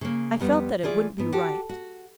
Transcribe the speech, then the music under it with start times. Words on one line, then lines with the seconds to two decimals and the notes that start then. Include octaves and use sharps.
I felt that it wouldn't be right.
0.01 C#3 A#3
0.40 F2 G3 B3
0.83 E3 F4 G#4 D5
1.18 G#2 B3
1.32 F#4 G4 A4
1.69 F#4